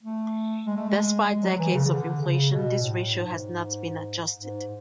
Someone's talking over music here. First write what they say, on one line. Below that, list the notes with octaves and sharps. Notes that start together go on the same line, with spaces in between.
Despite decades of inflation, this ratio has not been adjusted.
A3
G#3
A3
G#3
G#3
F#3
E3
C#3
C#3
D3
C#3
B2
A2
G#2
G#2